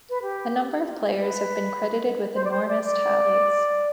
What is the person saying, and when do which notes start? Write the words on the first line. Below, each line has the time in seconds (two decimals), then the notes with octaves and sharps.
A number of players have been credited with enormous tallies.
0.09 B4
0.21 G4
0.84 F4
1.17 B4
2.34 C5
2.44 D5
2.50 C5
2.67 D5
2.84 D5